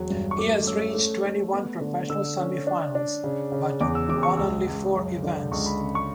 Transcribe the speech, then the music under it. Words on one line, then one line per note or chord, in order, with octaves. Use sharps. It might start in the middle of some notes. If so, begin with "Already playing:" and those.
He has reached twenty-one professional semi-finals, but won only four events.
Already playing: E1 F#3
G2
C#6
A3 D6
C#4 E6
A3
A3
B3
D3
D3 E6
C#4
D4
D4
C#3
C#3
E2 D6
E6
E1 D6
C#6
C#2 E6
C#2
F#2
D3
C#2 C#6
B5
C#3 B5
C#6